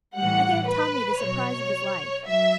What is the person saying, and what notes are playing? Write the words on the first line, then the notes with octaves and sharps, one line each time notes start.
'I gave Tommy the surprise of his life.
A2 E3 G3 F#5
B4
B2 F#3 C#5
F#3 E5